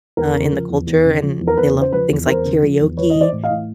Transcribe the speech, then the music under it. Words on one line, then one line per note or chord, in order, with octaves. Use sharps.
uh, in the culture, and they love things like karaoke.
E2 A#4
C#3
F3
E2
E2
C#3
F3
E2
A#4
E2 B4
C#3
C5
F3 B4
E2
E2 A#4 C5
C#3
F3
E2
E3 B4 C#5
E3 D#5
C5 D5
A2
D#5 F5
A2